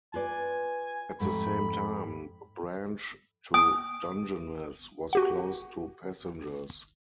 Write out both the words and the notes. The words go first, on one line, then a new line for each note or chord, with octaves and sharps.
At the same time, the branch to Dungeness was closed to passengers.
F4 B4 D5 G#5
F2 G#2 A3 B5
G#5 D#6
F#4 G4 F#5